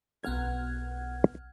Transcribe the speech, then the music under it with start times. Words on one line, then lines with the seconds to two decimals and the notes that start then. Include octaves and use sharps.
Where there no such beings, men would not die.
0.24 B1 B3 F#5 F6 G#6